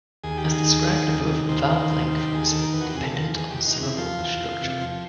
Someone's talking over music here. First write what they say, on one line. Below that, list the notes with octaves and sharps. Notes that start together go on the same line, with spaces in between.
As described above, vowel length was dependent on syllable structure.
D#2 G#4
G4
D#3
G#4
D#2
D#3
D#2
D#3
D#2 C5
D#3
D#2
D#3
G4
D#2 G#4
A4
D#3
A#4
E2 B4
F#4
G4
C3 G#4
A4
F3
E2 G#4
G4
E2
D#4
C3 E4
F3 F4
E2
E2
C3
F3